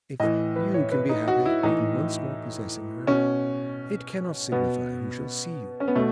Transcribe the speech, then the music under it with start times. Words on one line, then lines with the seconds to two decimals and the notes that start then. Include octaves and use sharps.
If you can be happy in once more possessing her, it cannot signify who shall see you.
0.20 A2 E3 D#5
0.56 B4
0.74 C#5
0.92 B4
1.09 D#4
1.28 F#4
1.46 E4
1.63 A2 E3 D#4
3.07 B2 C#4
4.52 B2 B3
5.80 C#4
5.88 B3
5.95 B2 A3